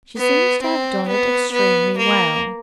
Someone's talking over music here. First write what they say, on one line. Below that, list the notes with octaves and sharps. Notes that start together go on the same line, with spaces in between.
She seems to have done it extremely well.
B3
C4
B3
B3
A#3